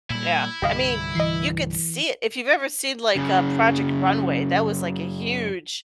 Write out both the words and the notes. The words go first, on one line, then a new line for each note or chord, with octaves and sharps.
Yeah. I mean, you could see it. If you've ever seen, like, a Project Runway, that was, like, a huge,
A#2 G3 E4
C2 G2 D3 G4 D#5 F5
E3 D#5 C7
F#2 C#3